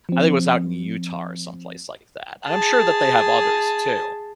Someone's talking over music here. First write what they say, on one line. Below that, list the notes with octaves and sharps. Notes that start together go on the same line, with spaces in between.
I think it was out in Utah or someplace like that, and I'm sure that they have others too,
F3 C4
G#4 A5